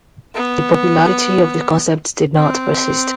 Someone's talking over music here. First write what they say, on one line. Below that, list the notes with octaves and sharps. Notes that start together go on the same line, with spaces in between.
The popularity of the concept did not persist.
B3
C4